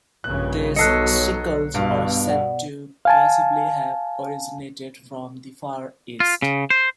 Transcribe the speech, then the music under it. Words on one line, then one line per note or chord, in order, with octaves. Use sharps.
These sickles are said to possibly have originated from the Far East.
A#1 G2 C#3 F#6
B1 F#3 A4 D#5 F#6 C7 C#7
G2 B2 F5
D5 F#5
F5 G#5 A5
F4
C#3
C5